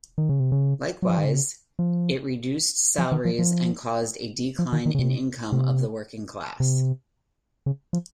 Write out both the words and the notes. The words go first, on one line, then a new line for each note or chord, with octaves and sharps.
Likewise, it reduced salaries and caused a decline in income of the working class.
D#3
C#3
C3
C#3
F#3
F3
D#3
C#3
F3
F3
D#3
F3
F3
F3
D#3
D#3
C#3
C3
C3
C3
C#3
F3